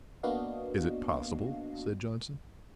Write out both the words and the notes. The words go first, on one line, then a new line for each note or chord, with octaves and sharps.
"Is it possible?" said Johnson.
A#3 B3 D4 F#4 D#5 F5